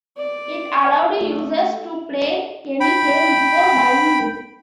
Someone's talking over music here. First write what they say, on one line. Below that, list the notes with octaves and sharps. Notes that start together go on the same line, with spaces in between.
It allowed users to play any game before buying it.
D5
A3
G5 B5